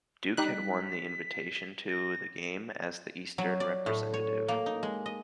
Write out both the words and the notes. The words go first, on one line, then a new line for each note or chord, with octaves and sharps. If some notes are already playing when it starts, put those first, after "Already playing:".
Duke had won the invitation to the game as the eastern representative.
G3 D#4 F#6 B6
A#6
F#3
D5
A2
C#5
A#3
D#4
G#3
D#5